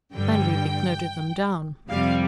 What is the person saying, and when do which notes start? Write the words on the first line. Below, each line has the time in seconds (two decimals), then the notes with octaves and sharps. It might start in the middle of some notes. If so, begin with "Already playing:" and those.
Van Riebeek noted them down.
0.15 G2 D3 G3 G5
1.89 F2 C3 G3 F5